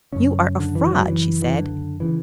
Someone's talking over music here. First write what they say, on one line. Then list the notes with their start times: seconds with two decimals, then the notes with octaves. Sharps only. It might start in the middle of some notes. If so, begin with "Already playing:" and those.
"You are a fraud," she said.
0.13 F#2 C#3 C#4
0.60 D3
0.75 E3
0.91 F#3
1.07 E3
1.42 E3
1.54 D3
2.00 C#3 E3